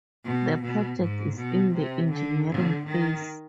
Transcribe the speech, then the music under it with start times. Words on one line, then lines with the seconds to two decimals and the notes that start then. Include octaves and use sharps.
The project is in the engineering phase.
0.25 B2
0.63 B2
1.00 G#2
1.36 B2
1.74 C3
2.12 D3
2.48 D3
2.86 D#3